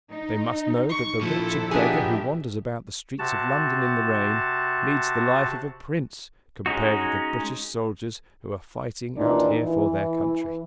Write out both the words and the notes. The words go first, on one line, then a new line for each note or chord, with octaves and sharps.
They must know that the wretched beggar who wanders about the streets of London in the rain, leads the life of a prince compared with the British soldiers who are fighting out here for their country.
D#4
C#6
A#2 D#3 F3 E4 A4
B3 D4 G4 G#4 D#5 E5
C3 F#4 A5
G#3 C#4 D#4 F#4
D#2 A#2 E3 D4 D#4
E3